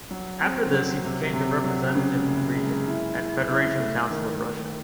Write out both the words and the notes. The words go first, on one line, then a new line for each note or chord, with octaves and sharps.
After this he became the representative of the region at Federation Council of Russia.
F#3
C4
F#3
C3
C3
F#3
C#3
F#1
G#3
E4
E4
E4
A3
D#3
D#3